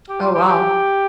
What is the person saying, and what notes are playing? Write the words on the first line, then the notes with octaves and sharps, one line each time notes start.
Oh wow.
G4
F4
G4
F4
G4